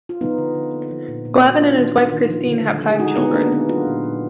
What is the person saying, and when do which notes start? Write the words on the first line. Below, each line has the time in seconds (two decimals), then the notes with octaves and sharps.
Glavine and his wife Christine have five children.
0.09 F4
0.21 F3 B3 D#4
0.38 D3
0.55 D3
0.74 A#3
0.91 F3
1.08 A#2
1.25 A#2
1.42 A#3
1.51 F#4
1.60 A#3 D4 F4
1.78 D#3
1.95 A#3
2.13 D#3
2.30 F3
2.48 D3
2.65 D3
2.82 G#3
2.90 G#4
2.99 G#3 D#4 F#4
3.17 D3 B3 D#4
3.34 G#3 A#3 D4
3.51 D3 B3 D#4
3.69 F#3 D4 F4
3.87 A#2
4.04 A#2